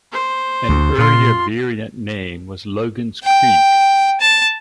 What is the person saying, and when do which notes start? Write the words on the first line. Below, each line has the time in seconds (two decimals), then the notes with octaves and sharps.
An early variant name was "Logan's Creek".
0.12 C5
0.69 D2
0.98 A#2 F4 C6
3.23 G5
4.21 A5